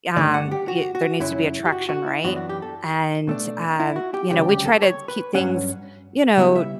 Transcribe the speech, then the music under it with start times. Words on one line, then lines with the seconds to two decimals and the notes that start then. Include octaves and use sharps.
um, y there needs to be attraction, right, and, um, you know, we try to keep things, you know,
0.16 G2 D3 A3 D4 D5
0.34 F#5
0.51 G4
0.68 F#4
0.95 F#4
1.20 F#2 C#3 F#3 E4
1.65 G4
1.72 F#4
1.89 F#4
2.06 E4
2.24 F#2 E3 B3 D4 F#4
2.36 F#4
2.49 G4
2.62 A4
3.27 B2 A3 D4
3.80 E4
3.96 F#4
4.14 G4
4.31 D2 C#3 G3 G4
4.49 G4
4.66 A4
4.82 C#5
5.08 B4
5.34 G2 D3 F#3 C#4 F#5
6.38 C#3 G3 B3 E4 E5
6.55 E5